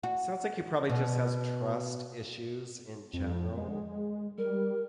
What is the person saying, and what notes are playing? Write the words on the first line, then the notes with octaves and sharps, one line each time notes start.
sounds like he probably just has trust issues in general,
F#4
B2
F2
G#3
G3 A#4